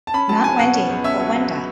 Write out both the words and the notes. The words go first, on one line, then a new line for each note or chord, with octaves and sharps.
Not Wendy, but Wenda.
A5
C#4 B5
F#3 A5
C#2 G#5
B2 F#5
C#4
C#2
C#4 E5
F#3
F#3